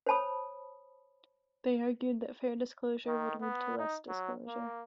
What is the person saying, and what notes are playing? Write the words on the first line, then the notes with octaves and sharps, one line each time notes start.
They argued that fair disclosure would lead to less disclosure.
C5 C#5 A5 B5 D#6
D#3
B3
D#4
F#3
A#3